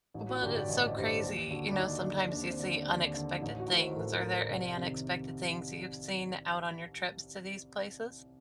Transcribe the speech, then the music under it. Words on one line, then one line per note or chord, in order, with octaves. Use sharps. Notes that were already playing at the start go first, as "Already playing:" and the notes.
well, that's so crazy, you know, sometimes you see unexpected things. Are there any unexpected things you've seen out on your trips to these places?
A1 D#4
F#4
G2 D3 G4
D5
A1 D#5
D#5
G2 D3 C5
D5
D#2 G4
D3 F#4
D4
D#2 D#4
D3
D#2 D4
C4
D4
D3
D#2
D3
A1 D#4
F#4
A2 C5
A#4
A1 A4
A#4
A2
C5
C2
C3 D#3